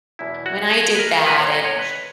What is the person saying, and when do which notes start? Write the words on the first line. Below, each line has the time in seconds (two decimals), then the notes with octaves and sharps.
when I did that," and
0.19 E2 B2 F#3 A#3 E4
0.46 F#4
0.73 G#4
0.95 B4
0.99 A#4
1.26 A#2 A#3 B4
1.39 C#5
1.52 D#5
1.65 C#5
1.79 B4